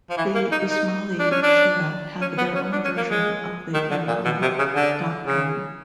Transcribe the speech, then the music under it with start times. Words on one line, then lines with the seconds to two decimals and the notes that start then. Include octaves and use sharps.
The Ismaili Shia have their own version of the Imamah doctrine.
0.10 F3
0.17 E3
0.35 A#3
0.52 D#4
0.69 D#4
1.19 D4
1.31 C#4
1.43 D4
2.21 C#4
2.38 B3
2.55 C#4
2.72 D4
2.85 C#4
2.97 A#3
3.10 G#3
3.74 D#3
3.91 D3
4.08 A#2
4.25 B2
4.42 C3
4.59 C#3
4.76 D3
5.27 C#3